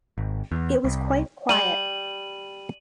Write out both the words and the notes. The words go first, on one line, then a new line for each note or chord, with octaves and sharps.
It was quite quiet.
G#1
E2
C2
G3 D#7 F#7